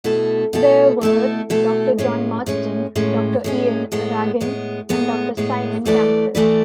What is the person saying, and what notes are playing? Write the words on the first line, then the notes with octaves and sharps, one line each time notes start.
They were: Doctor John Marsden, Doctor Ian Ragan and Doctor Simon Campbell.
B2 A3 E4 A4
B2 A3 E4 A4
B2 A3 E4 A4
B2 A3 E4 A4
A2 G#3 C#4
A2 G#3 C#4
A2 G#3 C#4
A2 G#3 C#4
A2 G#3 B3
A2 G#3 B3
A2 G#3 B3
A2 G#3 B3
E3 A3 E4 B4 D5
E3 A3 E4 B4 D5